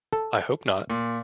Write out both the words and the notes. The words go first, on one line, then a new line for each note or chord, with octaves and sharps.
I hope not.
A4
A#2